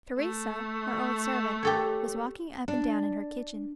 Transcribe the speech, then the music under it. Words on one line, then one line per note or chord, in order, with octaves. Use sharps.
Teresa, our old servant, was walking up and down in her kitchen.
A3
G4 A4 C#5
D4